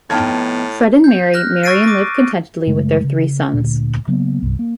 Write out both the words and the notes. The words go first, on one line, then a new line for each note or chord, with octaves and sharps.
Fred and Mary marry and live contentedly with their three sons.
F2 A2 B3 D#4 G5 A5 F6 G#6
G6
F6 F#6 A#6
C#6 E6 A6 C7 D7 D#7
D6 A#6
F#2 C#3 G#3 A3
C#3
D2 A#2 D3
C#3 F#3 A#3 B3
C2 G2
A#3